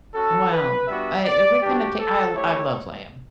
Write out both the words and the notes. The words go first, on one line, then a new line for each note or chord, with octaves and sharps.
Wow. Uh, i what kind of ta I I love lamb.
C#4 F#4 A4
B4
G3 B3 D4 F#4 E5
D5
G3 D4 F#4 G4
A4
A3 E4 G4 C#5